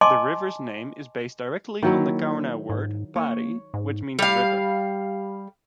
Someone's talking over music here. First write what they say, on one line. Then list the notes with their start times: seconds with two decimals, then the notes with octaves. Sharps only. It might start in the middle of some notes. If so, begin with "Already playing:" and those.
The river's name is based directly on the Kaurna word "pari" which means river.
0.01 D#5 G#5 A5 C6 D6
1.82 D#3 F#3 A#3 E4
2.69 G#2
3.16 A#3 C#5
3.74 G#2
4.19 G3 F5